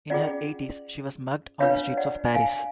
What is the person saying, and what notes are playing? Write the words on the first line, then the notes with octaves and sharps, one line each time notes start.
In her eighties she was mugged on the streets of Paris.
C#4 F4 G#4 D5 F#5
D4 F4 B4 C#5 F5
D5 F#5
F5 G#5